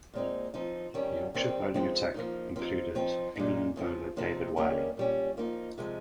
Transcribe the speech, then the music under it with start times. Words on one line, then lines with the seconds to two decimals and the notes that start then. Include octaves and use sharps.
The Yorkshire bowling attack included England bowler David Willey.
0.13 A#2 G#3 C4 D#4
0.54 F3 C4 D#4
0.94 D#3 G3 C#4
1.34 D#3 G3 C4
1.74 F3 G#3 C4 D#4
2.14 F3 A#3 D#4
2.56 F3 C4 D#4
2.95 F3 C4 D#4
3.36 A#2 G#3 D#4
3.76 C#3 F3 C4
4.16 C3 F3 C4 D#4
4.56 D#3 G3 A#3 C#4
4.97 A#2 G3 C#4
5.37 F3 A#3 D#4
5.78 C3 F3 G#3 D#4